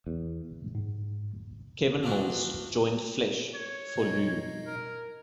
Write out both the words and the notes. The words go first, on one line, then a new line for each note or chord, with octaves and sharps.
Kevin Mills joined Flesh for Lulu.
E2
G#2
E3 F3 A#3 D4 E4 F#4
C#5
B2 D#4 D#5
A#4